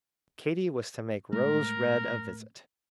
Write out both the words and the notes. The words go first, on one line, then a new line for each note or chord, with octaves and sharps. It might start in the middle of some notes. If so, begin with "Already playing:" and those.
Katy was to make Rose Red a visit.
A2 G#3 A3 A#4